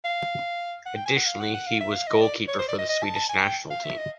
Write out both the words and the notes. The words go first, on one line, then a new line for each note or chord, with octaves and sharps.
Additionally, he was goalkeeper for the Swedish national team.
F5
F#5
G5
G#5
F#5
F5
F#5
F#5
F5
E5
F5
D#5
D5
C#5
C5
D5
D#5
D#5
A5
A5
G#5
G5
F5
E5
D#5